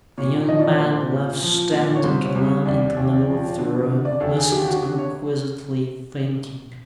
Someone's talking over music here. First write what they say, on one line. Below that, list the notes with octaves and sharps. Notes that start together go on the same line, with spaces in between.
The young man, left standing alone in the middle of the room, listened inquisitively, thinking.
A#2 C#5
F3 D#5
D5
C#5
A#2 C5
A#2
F3
A#2
C#5
C2 C5
C#5
C2
C#5
D#2 D5
D#2
F3
D3
D3
D5
D#2 A4
G#4
D3 G4
F#4
D3 G4
C#5